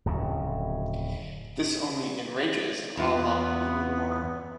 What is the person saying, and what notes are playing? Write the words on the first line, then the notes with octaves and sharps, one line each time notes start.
This only enrages Ah Lung even more.
D1 F2 C#3
E2 B3 F4